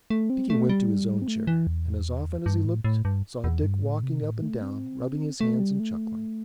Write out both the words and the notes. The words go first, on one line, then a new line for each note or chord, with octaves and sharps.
Binkie went to his own chair, and as often as he looked saw Dick walking up and down, rubbing his hands and chuckling.
A3
C4
A3
G3
C4
A3
E3
E2
G2
A2
A2
G2
E2
G2
A2
C3
A2
A3
C4
A3
G3
A3